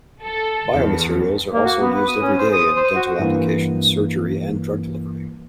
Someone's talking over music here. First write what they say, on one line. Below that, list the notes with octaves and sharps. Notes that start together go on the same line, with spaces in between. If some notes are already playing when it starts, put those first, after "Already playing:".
Biomaterials are also used every day in dental applications, surgery, and drug delivery.
A4
E2
A#3
F#4
B3
B4
D#6
C#4
C5
D#6
C5
F#4
G2 E3 A#3